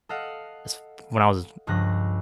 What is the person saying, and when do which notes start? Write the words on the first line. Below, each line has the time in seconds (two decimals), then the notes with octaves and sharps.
s when I was
0.09 A4 D#5 F5 F#5
1.67 C#2 G2 F3 F#6 A#6